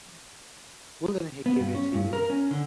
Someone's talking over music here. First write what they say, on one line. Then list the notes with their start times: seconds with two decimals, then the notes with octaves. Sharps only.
Wouldn't he give it to you?
1.46 B3
1.59 G2
1.75 C#4
1.94 G2
2.13 A#4
2.30 C#4
2.51 D3